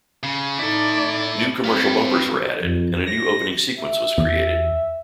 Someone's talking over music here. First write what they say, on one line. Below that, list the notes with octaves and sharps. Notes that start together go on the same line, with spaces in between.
New commercial bumpers were added and a new opening sequence was created.
C#3
D#4 E4 A4 D5
G3 C4 B4 F5
F2
A#6
E5
E2